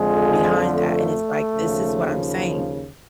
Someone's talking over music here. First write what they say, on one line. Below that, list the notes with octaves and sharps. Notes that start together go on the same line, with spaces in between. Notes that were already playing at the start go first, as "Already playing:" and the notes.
behind that. And it's like, this is what I'm saying.
Already playing: F2 D3 F3 G#3
A3
D#2 C#3 F3